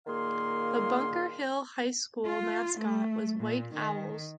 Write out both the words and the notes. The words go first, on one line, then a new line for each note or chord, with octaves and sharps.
The Bunker Hill High School mascot was White Owls.
A#2 D#3 A#3 G#4 F5 C6
F4
A3
A#2
D#3